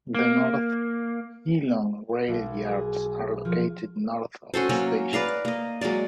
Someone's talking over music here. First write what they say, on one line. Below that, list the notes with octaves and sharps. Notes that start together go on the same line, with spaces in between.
The North Geelong rail yards are located north of the station.
A#3
B1
G#4
F3
C#4 F#4 A4 C5
F#3 A#3 C#4
B4 D5 F5 A#5
A#3 D#5
F#3 G#3 A#3 D5